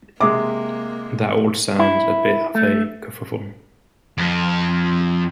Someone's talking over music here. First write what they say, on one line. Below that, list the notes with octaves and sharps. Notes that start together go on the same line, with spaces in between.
That all sounds a bit of a kerfuffle.
C3 G#3 A#3 D6
E4
A3
F2